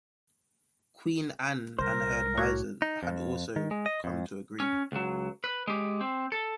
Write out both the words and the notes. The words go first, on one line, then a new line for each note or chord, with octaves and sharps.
Queen Anne and her advisors had also come to agree.
C2 A#4 C5
A2 F#4 C#5 D6 G#6
D#4
F2
D#3
G#3
D#5
F2
C#4
C#2 F#3
B4
G#3 G4
C4
A4